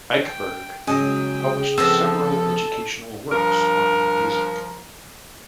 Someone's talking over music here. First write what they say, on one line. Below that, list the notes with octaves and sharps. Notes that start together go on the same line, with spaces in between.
Eichberg published several educational works on music.
G5
C#3 F#3 G#3 G#4 G5 D#6
F3 B3 C4 A4 E6
G2 F3 A#4